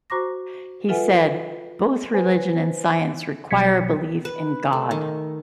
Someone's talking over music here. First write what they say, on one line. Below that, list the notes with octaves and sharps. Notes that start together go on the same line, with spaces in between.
He said: Both Religion and science require a belief in God.
F#4 C5 A#5 C#6 D6 A#6
F4 A4 B4 E5 F#5 G#5
B4 C5 G#5
G1 B2 F#3 G#6 B6 C#7
B4
A3
D#3